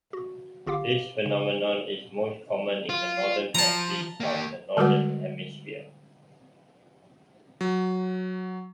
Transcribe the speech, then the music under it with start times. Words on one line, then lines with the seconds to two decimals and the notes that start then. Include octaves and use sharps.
This phenomenon is most common in the northern countries of the Northern Hemisphere.
0.13 F#4
0.67 G1 F4 G4 F5 D6
1.26 C#3
2.89 F4
3.55 F3 A5 A#5
4.20 A#3 G4
4.77 D3 G3 G#3 F#4 B4 F#5
7.61 F#3